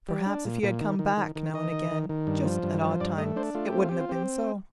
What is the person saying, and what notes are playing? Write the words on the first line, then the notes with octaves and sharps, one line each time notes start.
Perhaps if you had come back now and again, just at odd times, it wouldn't have been so.
G3
D4
A#2
A#2
D#3
D#3
D#3
D#3
D#3 D#5
D#3
D#3
D#3
G2
F3
G2
F3
G2 D5
A3 D#5
D4 C5
A3 F4
G4
C4
F4
C4 G4
F4
C4 G4